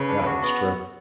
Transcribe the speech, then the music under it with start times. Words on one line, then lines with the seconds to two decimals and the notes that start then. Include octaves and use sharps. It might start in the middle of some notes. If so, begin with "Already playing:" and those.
Yeah, it's true.
Already playing: C#3 B4
0.08 D4
0.26 F#4
0.42 B3